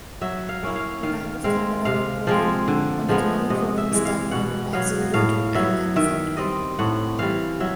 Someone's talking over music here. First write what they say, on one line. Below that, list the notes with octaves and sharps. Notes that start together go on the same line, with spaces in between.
The Bank of Canada reported on economic problems that were accelerated and magnified.
F#3 E5
F5
A#3 C#4 E4
F5
D#3 F5
G#3 C4 F5
C3 F5
F3 G#3 C4
D3
F3 G#3 B3
C3 D#5
E5
E3 G#3
F5
B2 F#5
F#3 B3 F5
A2 F5
F#3 B3 E5
D#3 E5
G3 C4 D#5
A2 F#5
E3 G3 F5
F#3 E5